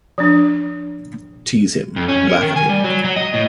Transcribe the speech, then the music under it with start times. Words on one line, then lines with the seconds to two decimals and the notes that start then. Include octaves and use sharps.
Tease him — laugh at him.
0.18 F3 D4
1.96 F2
2.08 C#4
2.29 A#4
2.42 D#3
2.56 G#5
2.69 G3
2.84 F#3
3.04 F#3
3.16 D#5
3.34 A2